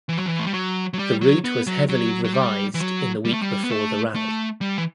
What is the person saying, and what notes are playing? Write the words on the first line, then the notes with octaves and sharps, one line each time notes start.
The route was heavily revised in the week before the rally.
E3
F#3
E3
A3
G3
F#3
F#3
G3
F#3
B3
F#3
F#3
F#3
G3
E3
F#3
G3
A3
G3
B3
A3
A3
G3
E3